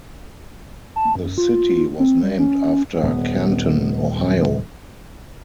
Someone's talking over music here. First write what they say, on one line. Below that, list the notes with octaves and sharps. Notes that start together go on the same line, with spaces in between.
The city was named after Canton, Ohio.
A5
F#2
F4
C4
G3
C#4
D#1 B3